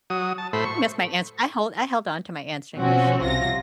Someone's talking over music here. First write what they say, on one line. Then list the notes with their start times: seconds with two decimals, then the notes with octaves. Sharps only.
That's my ans I hold I held on to my answering machine,
0.10 F#3 D#6
0.38 A5
0.53 A2 A3 C5 B5
0.65 C#6
2.75 B2 F3 C4 C#4 F#4
3.20 C2 C3 F4 A#6